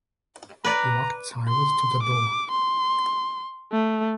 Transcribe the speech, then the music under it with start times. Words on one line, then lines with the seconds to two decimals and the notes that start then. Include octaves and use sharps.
He walked sideways to the door.
0.64 B4 D5 A#5
1.48 C6
2.03 D6
2.51 C6
3.72 A3